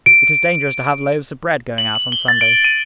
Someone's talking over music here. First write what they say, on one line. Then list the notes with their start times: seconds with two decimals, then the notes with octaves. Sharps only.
It is dangerous to have loaves of bread going out on Sunday.
0.06 D7
1.78 F#7
1.95 F#7
2.12 G7
2.28 A6
2.41 D7
2.64 D#7